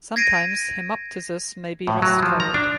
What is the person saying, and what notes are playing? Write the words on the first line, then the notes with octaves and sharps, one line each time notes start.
Sometimes hemoptysis may be rust-colored.
G#6 A#6 C7 D7 D#7
A2
F#3
F3
A#5
D4